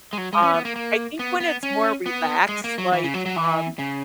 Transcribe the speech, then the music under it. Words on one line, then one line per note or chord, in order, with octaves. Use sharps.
Um, I think when it's more relaxed, like, um,
G#3
F#3
G#3
C#4
B3
A#3
A#3
B3
B3
C#4
B3
G#3
A#3
F#3
E3
C#3
F#3
F#3
E3
C#3